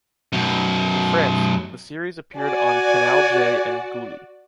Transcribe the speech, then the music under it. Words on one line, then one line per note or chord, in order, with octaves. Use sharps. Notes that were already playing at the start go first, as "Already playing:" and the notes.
In France, the series appeared on Canal J and Gulli.
F#2 B2
F#4 D5 G#5